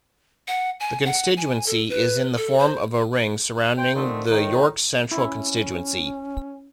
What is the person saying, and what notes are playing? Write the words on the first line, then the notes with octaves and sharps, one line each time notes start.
The constituency is in the form of a ring surrounding the York Central constituency.
F#5
G#5
F#5
G#5
A4
B4
A4
C5
C5 G5
D3 D#3 F3 G#3 A3 C4
A2 D#3
C#4 E4